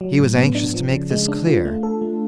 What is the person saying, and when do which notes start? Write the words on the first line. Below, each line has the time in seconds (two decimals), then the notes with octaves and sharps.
He was anxious to make this clear.
0.01 F#3
0.19 A2
0.37 B3
0.55 D4
0.74 F3
0.92 C#3
1.11 G#3
1.28 D4
1.46 F4
1.65 A3
1.83 A4
2.02 A3